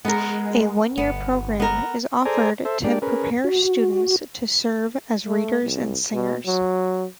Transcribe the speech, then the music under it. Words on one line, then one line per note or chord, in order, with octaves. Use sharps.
A one-year program is offered to prepare students to serve as readers and singers.
G#3 B3 A#4
G1 B3
B3 A#4
G#4 A4 C5 D5 G#5 A#5
A4 C5 E5
G#3 A#3 D4 G4 D5
C#4 G#4 A#4 B4
F#4
A3
C2
B2
F#3